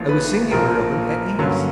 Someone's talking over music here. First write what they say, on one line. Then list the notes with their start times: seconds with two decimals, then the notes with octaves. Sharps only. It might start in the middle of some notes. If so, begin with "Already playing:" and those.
I was singularly at ease.
Already playing: A1 A2 F3 A#3
0.09 B4
0.51 A#1 A#2 F3 A#4
1.38 G2 D3 F#3 A#3 C#4